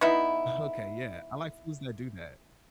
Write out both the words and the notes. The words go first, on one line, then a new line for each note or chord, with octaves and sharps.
Okay. Yeah. I like foods that do that.
B3 D#4 E4